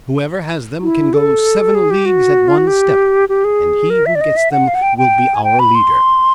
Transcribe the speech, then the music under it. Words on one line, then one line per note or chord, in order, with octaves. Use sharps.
Whoever has them can go seven leagues at one step; and he who gets them will be our leader.
E4
A4
G#4
G4
F#4
F4
F#4
G4
G4
G#4
A#4
E5
D5
D#5
E5
F#5
F5
F#5
G5
G5
G#5
G5
B5
C6